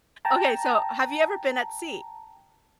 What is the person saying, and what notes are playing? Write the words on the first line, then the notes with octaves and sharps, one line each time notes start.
Okay, so have you ever been at sea?
G5 A5 A#5